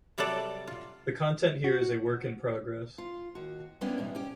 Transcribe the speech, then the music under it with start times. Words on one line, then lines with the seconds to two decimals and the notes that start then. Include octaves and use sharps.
The content here is a work in progress.
0.18 C3 F#3 G3 F#4 A4 D5
0.67 F4
1.64 F#4
2.98 F4
3.35 D#2 F#4
3.81 G3 A#3 B3 C#4 D4 E4
3.98 E2 B2 D#4
4.15 C#4 G4